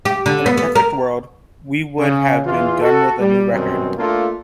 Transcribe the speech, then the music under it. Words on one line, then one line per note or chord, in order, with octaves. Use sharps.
In a perfect world, we would have been done with a new record.
G4
D3
B3
B3
A#4
C#3
E2 E3 F4
F#4 A4
G3
F#2 B2 D#3 G3 C4
A3 A#3 D4 F4